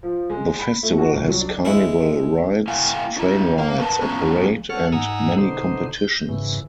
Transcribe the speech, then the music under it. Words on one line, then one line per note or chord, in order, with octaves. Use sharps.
The festival has carnival rides, train rides, a parade, and many competitions.
F3
G#3
B5
A3
F#4
C2
F#3
D4
G#3 E4
A#3 E4 F5 G5 G#5
D4 E4
A#3 F5
D3 A#4 B4 E5 A5
F3 B3 C#4 D4 A#5
A4 C#5 F#5 F6
G#2 D#4 F#5 G#5 A#5 E6
B2 D3 D#4 C5
G6
G#2 C#3 E3